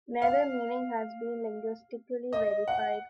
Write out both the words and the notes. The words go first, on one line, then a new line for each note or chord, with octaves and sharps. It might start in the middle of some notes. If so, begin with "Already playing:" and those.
Neither meaning has been linguistically verified.
F5
D#5
F#5